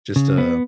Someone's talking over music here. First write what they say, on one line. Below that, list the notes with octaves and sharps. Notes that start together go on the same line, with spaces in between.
just to
C#3
B3